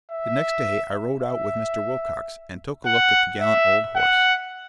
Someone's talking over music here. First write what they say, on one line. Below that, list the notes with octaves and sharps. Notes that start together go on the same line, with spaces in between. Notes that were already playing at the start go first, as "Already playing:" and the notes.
The next day I rode out with Mr. Wilcox and took a look at the gallant old horse.
E5
E5
F#5
E5
F#5